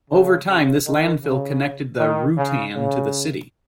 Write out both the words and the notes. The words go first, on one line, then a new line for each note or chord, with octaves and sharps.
Over time, this landfill connected the "Reutan" to the city.
C#3
C#3
D#3
C#3
D#3
C#3
C#3